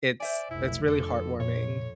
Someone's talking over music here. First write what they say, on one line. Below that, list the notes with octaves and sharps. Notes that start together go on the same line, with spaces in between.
it's it's really heartwarming.
C5 D5 E5 G#5
F1 B1 E4
F2 D3 A4
A#2 C#5